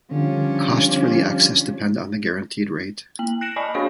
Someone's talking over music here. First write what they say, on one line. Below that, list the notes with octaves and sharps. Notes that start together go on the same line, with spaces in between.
Costs for the access depend on the guaranteed rate.
D3 F3 G3 C#4 D4 F4
A#3 F#7
F#6 A#6 C#7 D7 E7 F#7
D5 D#5 G#5 A5 B5 C#6
D4 F#4 C#5 F5 C#6